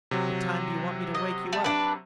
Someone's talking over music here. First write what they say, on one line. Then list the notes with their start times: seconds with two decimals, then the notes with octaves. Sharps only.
"What time d'you want me to wake you up?"
0.11 C3 F#3
1.15 D#5
1.53 A3
1.64 D4 B4